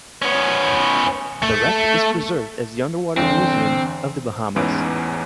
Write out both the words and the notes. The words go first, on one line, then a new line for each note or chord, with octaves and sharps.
The wreck is preserved as the Underwater Museum of the Bahamas.
B3 C#4
A3
G1 E2 C4
A1 E2 G#2 C#4 B4 D7